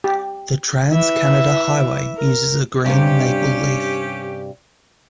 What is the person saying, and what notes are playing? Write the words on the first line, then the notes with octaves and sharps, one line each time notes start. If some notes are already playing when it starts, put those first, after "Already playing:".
The Trans Canada Highway uses a green maple leaf.
G4
E3 E5
A#4
G2 C3 C#4 G4